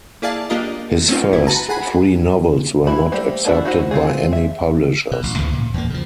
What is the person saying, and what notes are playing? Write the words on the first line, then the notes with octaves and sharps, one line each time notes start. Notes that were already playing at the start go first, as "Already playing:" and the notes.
His first three novels were not accepted by any publishers.
A#3 E4 G#4 D5 F5 A5
A#3 D4 F4 G4 A#4 D#5
A3 C4 C#4 D#4 F4
G1 E4
F#4 B4 A5 A#5
G#4 F#5 G#5 B5
E3 E4 B5
G3 A3 A#3 G4 C5
A#3 D4 E4 F#4
D#4 E4 F#4 C5
A3 C4 F4 G#4
E5
B2
A1
D2 A2 C#3 E3
A#2
E2 A#3
C#3 F3